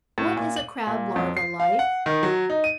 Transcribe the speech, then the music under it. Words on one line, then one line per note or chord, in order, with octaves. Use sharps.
What is a Crab larva like?
A2
A#2
F#7
A#2
F2
C7
F5
F#5
D#3
F#3
D#4
D#7